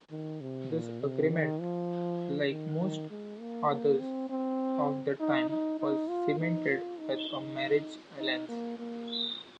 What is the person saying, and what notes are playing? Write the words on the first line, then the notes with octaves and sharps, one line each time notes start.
This agreement, like most others of the time, was cemented with a marriage alliance.
D#3
C3
A#2
C3
D#3
F3
D#3
D#3
G#3
A#3
A#3
C4
C4
D#4
D#4
D#4
F4
D#4
F4
D#4
D#4
D#4
A#3
A#3